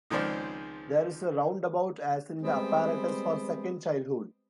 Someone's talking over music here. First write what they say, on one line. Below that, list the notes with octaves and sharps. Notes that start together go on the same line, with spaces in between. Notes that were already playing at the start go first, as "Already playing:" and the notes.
There is a roundabout as in the apparatus for second childhood.
C#2 D#3 F3 G#3 C4 D5
G3 G#3 B3 C4